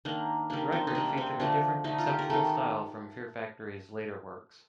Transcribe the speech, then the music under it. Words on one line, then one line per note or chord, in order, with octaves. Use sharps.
The record featured a different conceptual style from Fear Factory's later works.
D#3 A#3 D4
D#3 G3 A#3 D4
C4
D#4
C3 G3 A#3 D4
C4
D3 F3 A3 D4
D3 A3 D#4
F4
G4
A#4
D#3 A3 A4